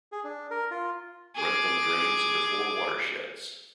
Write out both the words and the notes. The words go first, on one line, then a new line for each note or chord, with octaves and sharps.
Wrentham drains into four watersheds.
G#4
D4
A#4
F4
G#4 D6